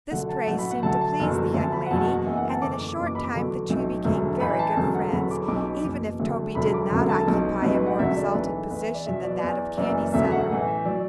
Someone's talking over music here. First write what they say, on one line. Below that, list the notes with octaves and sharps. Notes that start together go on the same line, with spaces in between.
This praise seemed to please the young lady, and in a short time the two became very good friends, even if Toby did not occupy a more exalted position than that of candy-seller.
D2 D3 F#3 F#5
A5
A1 A2 F#3 F#5
B5
F#5
D2 D3 F#3 A5
A5
F#1 E2 D3 F#3
D2 D3 F#3 A5
B5
F#5
F#1 E2 B2 F#3 A5
F#5
F#1 F#2 E3
F#5
A5
F#1 E2 D3 D6
D6
F#1 E2 B2
D6
B5
D6
E2 D3 F#3
B1 A2 F#3
E1 D2 D3 F#3
A1 A2 E3 B5
A5
E1 E2 D3 F#3
F#5
E1 E2 D3 F#3 B5
D6
B5
B1 B2 F#3 D6
B5
F#1 E2 B2 F#3 D6
D2 D3 F#3
E1 D2 D3 F#3 B5
D6
E1 D2 D3 F#3
A5
B1 B2 F#3
B1 A2 F#3 B4
B4
F#5
E1 D2 D3 F#3 E5
D5
B1 A2 E3 B4
A4
E2 E3 B4
E5
D5
E2 B2 F#3 E5
D5
B4
E2 E3 D5
F#1 F#2 E3 D5
E1 D2 D3 F#3 E5
F#5
A1 A2 E3
E5
F#3 D5